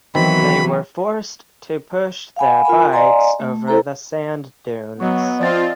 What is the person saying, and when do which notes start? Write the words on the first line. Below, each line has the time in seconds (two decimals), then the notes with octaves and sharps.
They were forced to push their bikes over the sand dunes.
0.15 D#3 E3 F#3 B3 C4 F#4 G5 B5
2.36 F5 F#5 G#5 B5
2.65 F4 A#4 G#5 B5
2.93 D5 D#5 F5 G#5 A#5 C6
3.40 A3
3.67 E4 A4 C5 A#5
5.00 F#3 B3 D#5 C#6
5.39 F3 C4 F4 D5 D#5 A6